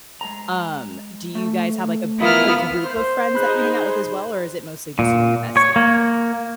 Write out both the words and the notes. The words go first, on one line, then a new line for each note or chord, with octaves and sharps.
Um, do you guys have, like, a b a group of friends that you hang out with as well, or is it mostly just you and your bestie?
G#3 A#5
A3
E3 F3 B3 E4 F4 A#4 F6
C5
D#4 G#4 B5 F#6
A#2
C#5
A#3